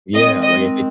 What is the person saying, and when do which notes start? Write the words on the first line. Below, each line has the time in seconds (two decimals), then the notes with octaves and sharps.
Yeah, like, if they
0.14 D#3 G#3 C4 D#5
0.42 D#5